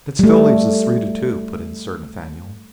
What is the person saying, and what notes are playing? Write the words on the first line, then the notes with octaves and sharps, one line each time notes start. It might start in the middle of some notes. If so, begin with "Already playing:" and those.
"That still leaves us three to two!" put in Sir Nathaniel.
G3 A3